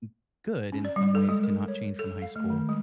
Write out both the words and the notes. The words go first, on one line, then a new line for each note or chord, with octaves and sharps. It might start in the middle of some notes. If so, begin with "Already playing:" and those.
g good in some ways to not change from high school.
C#4
D5
G3
A4
G#3
A#4
C#5
A4
F5
A3
D#3
G#3